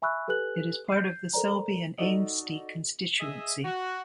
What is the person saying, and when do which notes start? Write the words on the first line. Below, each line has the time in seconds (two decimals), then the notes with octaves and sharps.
It is part of the Selby and Ainsty constituency.
0.02 E5 G#5 B5 C#6 E6 F#6
0.28 G4 A4 B4 G#5 F#6 F#7
0.88 G6 C7
1.33 A4 A#4 C5 D5 A#5
1.98 D#4 F#4 A4 D5 D#5
3.19 G#4 D#5 E5
3.64 F#4